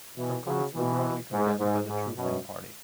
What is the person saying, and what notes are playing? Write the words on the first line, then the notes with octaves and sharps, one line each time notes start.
Her comments were broadly condemned by the True Finn party.
B2 E3
C#3 F#3
B2 E3
G#2
G#2
G#2
F#2 B2